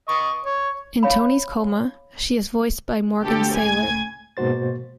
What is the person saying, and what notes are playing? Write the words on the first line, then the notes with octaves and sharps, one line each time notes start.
In Tony's coma, she is voiced by Morgan Saylor.
D#5 C#6
C#5
C#5 F5 B5
G1 D2 G4 A4
C#2 A2 G#5 G#6
G#2 B2 A#3 F#4 C5 A6